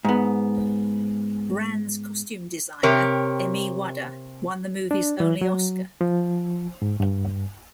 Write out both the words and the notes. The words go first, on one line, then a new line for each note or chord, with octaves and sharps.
"Ran"s costume designer, Emi Wada, won the movie's only Oscar.
G#2 B3
C3 G4 A#4 C#5
D4
E3
F#3
F3
G#2
G2